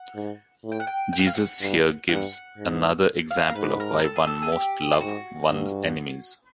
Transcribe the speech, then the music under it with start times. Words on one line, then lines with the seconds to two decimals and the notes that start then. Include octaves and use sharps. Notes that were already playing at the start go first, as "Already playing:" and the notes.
Jesus here gives another example of why one most love one's enemies.
Already playing: F#5
0.15 G#2
0.64 A2
0.72 G5
0.80 F#5
0.87 G5
1.13 G5
1.19 F#5
1.27 F5
1.35 F#5
1.61 G2
2.09 G2 F#5
2.58 G#2
3.31 F5
3.49 A#4
3.55 G#2 B4
3.80 A#4
4.04 A4
4.16 G#4
4.27 A4
4.42 G#4
4.52 G4
4.93 F4
5.01 G#2 F#4
5.49 G2